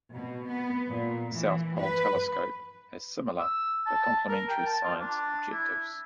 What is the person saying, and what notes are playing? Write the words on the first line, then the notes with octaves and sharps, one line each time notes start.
The South Pole Telescope has similar, but complementary, science objectives.
B2
B3
A#2
E3
B4
E6
A5
A#4
G5
A5
F4
D4
E4